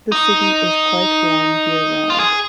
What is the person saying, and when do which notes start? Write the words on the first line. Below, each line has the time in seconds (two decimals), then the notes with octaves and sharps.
The city is quite warm year-round.
0.12 D#4
2.10 F4
2.20 G#4